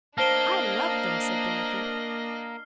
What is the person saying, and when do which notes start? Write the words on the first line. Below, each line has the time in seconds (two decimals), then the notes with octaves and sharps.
"I love them," said Dorothy.
0.18 A#3 D4 C5 D#5 A5 F6 C7 G7